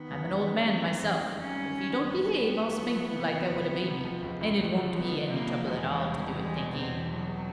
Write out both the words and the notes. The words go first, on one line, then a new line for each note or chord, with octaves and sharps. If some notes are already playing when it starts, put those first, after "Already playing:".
I'm an ol' man, myself, but if you don't behave I'll spank you like I would a baby, an' it won't be any trouble at all to do it, thank'e.
Already playing: D#3 B3
F#2
F#2
D#3
G3 C4
F#2
F#2
F#2
F#2 C#4
G3
D#3
D#3
F#2 B3
G3
G3
G3
F3
F3
C3
C3
C#2
C3
C3
F3
C#2
C#2
C#2
F3
F3 B3
F3
C3 A#3
F3
E2 G#3
E1
G3
E2
E1 G#3
B2
E2 C4
E1
E1 F#3
E2